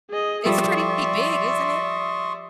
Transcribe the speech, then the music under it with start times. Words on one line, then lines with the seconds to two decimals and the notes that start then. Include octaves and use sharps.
It's pretty big, isn't it?
0.10 G#4 D#5
0.45 F3 G3 A4 D5 E5 C6 C#6 D#6